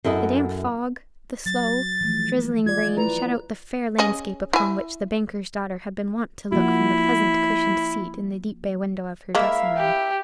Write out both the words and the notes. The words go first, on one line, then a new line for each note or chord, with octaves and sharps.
The damp fog, the slow, drizzling rain shut out the fair landscape upon which the banker's daughter had been wont to look from the pleasant cushioned seat in the deep bay-window of her dressing-room.
F#2 E4 A4 D#5 F#5
F#3 A6
E3 F3 A3
F4 D5 G#6
E4 B4 A#5
C#4 G#4 D#5
E4 G#5
F3 A#3 E4 F#4
G#3 A#3 E4 A#4 E5 F5
G4